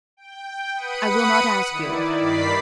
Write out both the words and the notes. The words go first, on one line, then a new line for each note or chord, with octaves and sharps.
"I will not ask you."
G5
B4 F#5 B5 D#6 C#7 D#7
D#3 E4 D5
G2 D#3 D5 B5 B6 C7